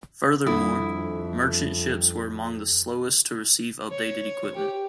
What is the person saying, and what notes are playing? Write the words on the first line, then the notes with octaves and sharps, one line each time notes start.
Furthermore, merchant ships were among the slowest to receive updated equipment.
F2 D#3 G3 D4 E4 A4 D#6
C#5
G4